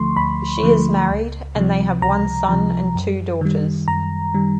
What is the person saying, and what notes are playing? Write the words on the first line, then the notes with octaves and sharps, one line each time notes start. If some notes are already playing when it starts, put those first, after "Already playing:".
She is married and they have one son and two daughters.
Already playing: D2 D3 F3 A3 C6 C#6
D2 B5
D3 F3 A3
C#2
C3 F3
C#2 A#5
C3 F3
F#2
D#3 G3
F#2 A#5
D#3 G3